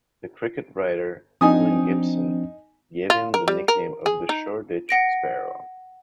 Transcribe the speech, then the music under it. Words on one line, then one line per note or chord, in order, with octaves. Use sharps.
The cricket writer, Alan Gibson, gave him the nickname of the "Shoreditch sparrow".
F3 C4 D4 D#4 G#5 D#6
F4
A#4
G3
A#4
G#4
D#4
F#5 A#6 D7